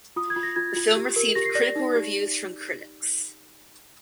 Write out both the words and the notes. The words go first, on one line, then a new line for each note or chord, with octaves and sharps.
The film received critical reviews from critics.
F4 D#6
G#6
F4
A#6
F4 G#6
F4
G4
A#4
G4 A#6
C7
D5 A#6
D#4
G4